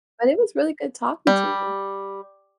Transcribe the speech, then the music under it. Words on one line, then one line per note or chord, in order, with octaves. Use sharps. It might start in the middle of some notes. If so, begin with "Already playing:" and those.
But it was really good talking to you.
G3